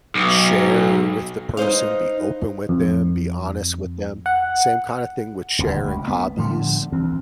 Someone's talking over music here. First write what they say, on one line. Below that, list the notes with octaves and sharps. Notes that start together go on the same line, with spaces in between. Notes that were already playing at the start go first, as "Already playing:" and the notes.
share with the person, be open with them, be honest with them. Same kinda thing with sharing hobbies,
B1
D#4 B4 C5 F5
F2
F#5
D#1 D2
C#2
B3
A2 D3 F3 G3
D2 E3 C4